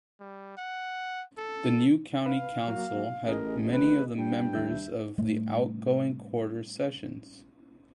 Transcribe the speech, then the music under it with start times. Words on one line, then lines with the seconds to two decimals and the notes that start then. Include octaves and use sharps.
The new county council had many of the members of the outgoing quarter sessions.
0.20 G3
0.57 F#5
1.37 A4
2.26 B4 F5
2.68 F#3 A#3 F#4
3.26 A1 G#4 A#4 D#5
3.71 B4
4.18 G2 G5
4.53 D#2 E5 G6
5.18 A2 G3